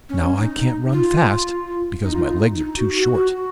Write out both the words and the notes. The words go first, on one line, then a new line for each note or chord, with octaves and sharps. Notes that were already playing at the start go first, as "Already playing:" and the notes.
Now I can't run fast, because my legs are too short.
C#4
D#4
F4
D#4
F4
D#4
D#4
F#4
F#4
F#4